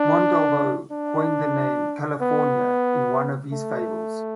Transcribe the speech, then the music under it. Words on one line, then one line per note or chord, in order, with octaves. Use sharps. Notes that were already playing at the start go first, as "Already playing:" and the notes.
Montalvo coined the name "California" in one of his fables.
Already playing: D4
D4
B3
A3